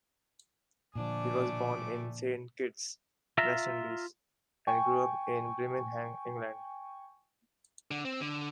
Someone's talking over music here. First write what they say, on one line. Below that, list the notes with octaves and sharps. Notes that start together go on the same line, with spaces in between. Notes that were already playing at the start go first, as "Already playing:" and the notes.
He was born in Saint Kitts, West Indies, and grew up in Birmingham, England.
A#2 D3 F3 G3 A3 D4 G#5 D6
F4 E5 F5 A#5
G5 G#5 C#6
D3
C4
D3